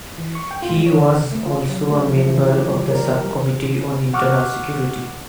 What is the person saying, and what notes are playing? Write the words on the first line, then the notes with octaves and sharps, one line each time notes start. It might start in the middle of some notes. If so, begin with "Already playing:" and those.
He was also a member of the Subcommittee on Internal Security.
E3
C#6
G5
F4
G#3
C#5
D3
C3
A3
F4
F#3
A3
F3
E3
G4
G3
A#4
G3
F#5 C#6 D6 F6 F#6